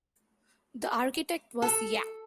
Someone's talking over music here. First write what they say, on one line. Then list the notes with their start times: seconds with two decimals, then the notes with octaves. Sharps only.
The architect was Ya.
1.62 A4